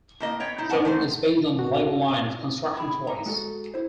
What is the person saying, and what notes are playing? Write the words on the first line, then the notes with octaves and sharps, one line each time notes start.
The film is based on the Lego line of construction toys.
A2 A#3 D#5
B3 C#5 G5
D#4 E4
A#2 A#3 C#4 F#5 A5
D#3 A3 C5
F#4
E4 G#4 B5
A#5
G#3 F#4 A4
E4 C5